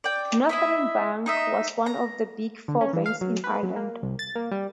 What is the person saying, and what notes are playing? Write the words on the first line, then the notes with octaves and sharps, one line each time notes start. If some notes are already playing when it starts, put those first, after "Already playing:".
Northern Bank was one of the Big Four banks in Ireland.
D5 G5
E4 D#5 E5
D#4 D#5 E5
A#5
D3
C#4
E3
F5
F#3
B4
F#3
A#3
C2
A6
A#3
G3